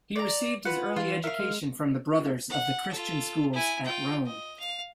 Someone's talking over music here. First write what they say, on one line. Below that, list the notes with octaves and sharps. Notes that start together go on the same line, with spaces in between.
He received his early education from the Brothers of the Christian Schools at Rome.
D5 A#5
F4 B4 F#5
E3 F4
A#4 E5 F5
G#3
F#5
F4 A4
E4 G#5
F4 G5
D#5
F5